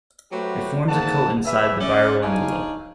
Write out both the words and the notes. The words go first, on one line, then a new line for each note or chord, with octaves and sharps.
It forms a coat inside the viral envelope.
F#3 A3 F#4 G4 B4 C5
G#2 A#3 F#5 A5
G#4 B4 D5 E5
C#4 D5
D4 D#4 C#5 F5 G#5